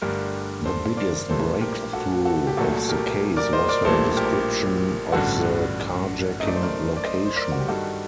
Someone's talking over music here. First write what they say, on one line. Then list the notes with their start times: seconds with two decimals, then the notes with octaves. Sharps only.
The biggest breakthrough of the case was her description of the carjacking location.
0.02 G1 G2 D3 A3 G4 A#4
0.65 A4 C5
0.97 A#4 D5
1.29 A#1 A2 G3 A#3 A4 C5
1.61 G4 A#4
1.93 F#4 A4
2.25 F#4 A4
2.47 G4
2.57 C2 A#2 F#3 A3 F#4 A4
2.89 G4 A#4
3.37 A#4 D5
3.53 C5 D#5
3.69 A#4 D5
3.84 A#1 A2 G3 A#3 A4 C5
4.17 G4 A#4
5.12 A1 G2 D3 F#4 A4
6.40 F#2 D#3 A3 D#5
6.48 D5
6.55 C5
6.63 A#4 D5
6.97 D5
7.04 C5 D#5
7.26 C5
7.36 A#4 D5
7.52 F#4
7.60 G4
7.68 G2 D#3 G3 F#4 A4